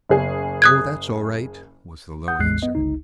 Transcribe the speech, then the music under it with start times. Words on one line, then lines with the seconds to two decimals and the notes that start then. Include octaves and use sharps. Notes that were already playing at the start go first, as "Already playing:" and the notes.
"Oh, that's all right," was the low answer.
0.09 F#1 G#4
0.62 D#6 F#6 G#6
2.28 F#5 D#6 G6
2.39 A1 E2 A2 G#3 F#6 C7
2.62 B3 D#5
2.75 G1 C#2 D#4